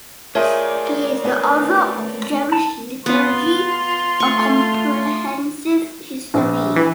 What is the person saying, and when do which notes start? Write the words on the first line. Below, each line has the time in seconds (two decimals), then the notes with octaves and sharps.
He is the author of "Jewish Liturgy: A Comprehensive History".
0.35 A3 F4 G#4 A#4 C#5 D5 E5
1.24 B3 C#4
2.51 A5
3.06 B3 F4 C6
4.20 A3 C#6
6.34 A#1
6.76 E3